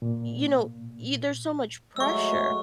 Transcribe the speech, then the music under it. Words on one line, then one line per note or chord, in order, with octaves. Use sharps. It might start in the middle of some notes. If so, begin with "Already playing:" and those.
you know, y there's so much pressure
A#2
F#3 G#3 A3 C#6 E6